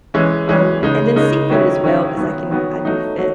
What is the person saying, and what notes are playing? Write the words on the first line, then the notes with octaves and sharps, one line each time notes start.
um, and then seafood as well, 'cause I can I do fish
E3 G#3 C#4
E3 G#3 C#4
C#3 G#3 D#4
C#3 G#3 D#4
D#3 F#3 C#4 E4
D#3 F#3 C#4 E4
D#3 F#3 B3
D#3 F#3 B3
F#3 A3 D#4
F#3